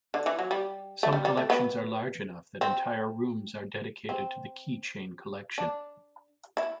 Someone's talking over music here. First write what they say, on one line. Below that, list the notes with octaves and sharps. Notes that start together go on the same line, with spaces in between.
Some collections are large enough that entire rooms are dedicated to the keychain collection.
D3
E3
F#3
G3
A3
G3
G3
A3
B3
C4
C4
D4
E4